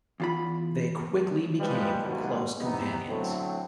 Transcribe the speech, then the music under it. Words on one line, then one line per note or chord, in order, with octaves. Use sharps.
They quickly became close companions.
E2 F4 B5
F3 G3 G#3 G4 B4
C2 B2 D#3 F#3 G#3 A#3
E2 C3 B3 D#4
A2 D3 F#3 A3 C4